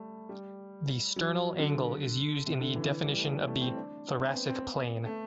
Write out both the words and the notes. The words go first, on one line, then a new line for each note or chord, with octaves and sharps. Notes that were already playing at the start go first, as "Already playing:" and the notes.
The sternal angle is used in the definition of the thoracic plane.
Already playing: G3 A3
G3
F#3
D3
C3
D3
E3
E3
G3
A3
G3
A3
C4
D4
C4
B3
C4
B3
A3